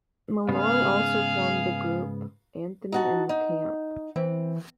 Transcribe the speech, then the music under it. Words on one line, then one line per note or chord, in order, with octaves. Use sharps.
Malloy also formed the group Anthony and the Camp.
G#2 C#3 B3 G#4 F5
D#4 F#4 A5
D#4
E3 C4